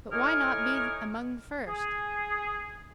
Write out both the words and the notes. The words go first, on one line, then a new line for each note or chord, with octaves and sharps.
But why not be among the first?
A2 D#4 G#5 C#6 D6 F6
G#4